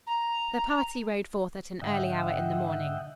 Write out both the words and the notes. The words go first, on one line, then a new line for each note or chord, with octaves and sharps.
The party rode forth at an early hour in the morning.
A#5
G#2 D3 D#5 E5 F#5 G5